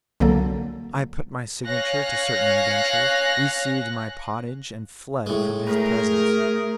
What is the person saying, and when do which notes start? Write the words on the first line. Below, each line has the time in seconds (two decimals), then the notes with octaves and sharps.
I put my signature to certain indentures, received my pottage, and fled from his presence.
0.20 C2 D3 F#3 A#3 A4
1.65 C#5 F5 G#5 F#6 A#6
5.26 A2 G#3
5.67 A3 G#4 A#4